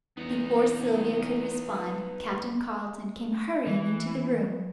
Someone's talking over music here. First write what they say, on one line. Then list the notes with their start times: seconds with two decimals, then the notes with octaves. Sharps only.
Before Sylvia could respond Captain Carleton came hurrying into the room.
0.17 E2 B3 D#4
3.67 E3